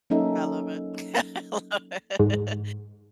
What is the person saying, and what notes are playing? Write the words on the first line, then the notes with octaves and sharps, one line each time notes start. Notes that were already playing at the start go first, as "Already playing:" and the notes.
I love it. I love it.
F#3 A#3 C#4 D#4 A4 E5
G#2